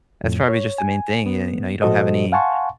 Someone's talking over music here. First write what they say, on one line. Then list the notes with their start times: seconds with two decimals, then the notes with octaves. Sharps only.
that's probably just the main thing, y you know, you don't have any,
0.24 F2 A2
0.49 C#5
0.78 G#5
1.26 B3
1.82 A#2 F3 F#4 A4 C5 D#5
2.32 F5 F#5 G#5 A5 C6 C#6